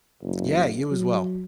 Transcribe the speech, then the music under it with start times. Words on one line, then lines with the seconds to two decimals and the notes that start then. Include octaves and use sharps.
Yeah, you as well.
0.23 F#1
0.91 F#3